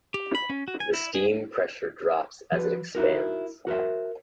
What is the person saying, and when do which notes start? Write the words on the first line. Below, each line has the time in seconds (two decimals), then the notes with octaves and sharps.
The steam pressure drops as it expands.
0.14 G4
0.35 B5
0.50 C#4
0.68 F#4
0.80 G#5
0.94 E4
1.15 G#4
2.52 F3 F#4 B4
2.95 D#4 E4 F#4 A#4
3.67 F#4 A#4 C5 E5